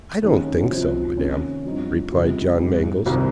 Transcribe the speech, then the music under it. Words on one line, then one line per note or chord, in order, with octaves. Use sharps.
"I don't think so, madam," replied John Mangles.
D#2 D#3 G#3 C#4
C3 F3 C4 D#4
C3 D#3 A#3 C#4
G2 F3 C4 D#4
C#2 C3 G3
G#2 G3 C4 D#4
C2 C3 D#3 G3 C4